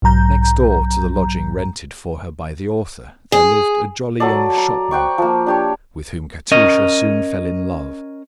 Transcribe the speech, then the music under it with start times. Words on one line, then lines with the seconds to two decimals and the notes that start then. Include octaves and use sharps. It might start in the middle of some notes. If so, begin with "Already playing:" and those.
Next door to the lodging rented for her by the author there lived a jolly young shopman, with whom Katusha soon fell in love.
0.02 B1 G#2 F#3 A#5 G6
3.32 G#4
4.20 F#3 A4 D5
4.57 A#5
4.91 C5 F#5 G5 C#6
5.18 F3 A#3
5.46 D4 G4 C#5
6.52 C#4 A#4 D#5